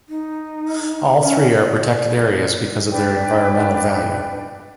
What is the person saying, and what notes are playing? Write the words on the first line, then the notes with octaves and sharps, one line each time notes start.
All three are protected areas because of their environmental value.
D#4
C#4
D5
D5
D4 B4 G5